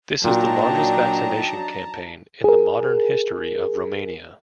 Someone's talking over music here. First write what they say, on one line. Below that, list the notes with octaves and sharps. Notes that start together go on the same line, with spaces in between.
This is the largest vaccination campaign in the modern history of Romania.
A#2 F#3 D4 D#4 G5 A5 A#5
G#4 A#4